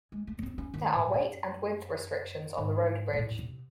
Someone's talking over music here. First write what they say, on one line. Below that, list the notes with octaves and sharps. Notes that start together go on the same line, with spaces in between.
There are weight and width restrictions on the road bridge.
G#3
A3
C4
C#4
D#3
A2
F#2
G#2
G#2
A2
C3